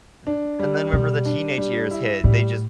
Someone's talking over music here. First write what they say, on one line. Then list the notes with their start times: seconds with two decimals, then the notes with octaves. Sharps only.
Right, and then whenever the teenage years hit, they just,
0.27 D4
0.59 G3
0.92 B2 G3
1.25 D4
1.58 G3
1.91 E4
2.24 A2 G3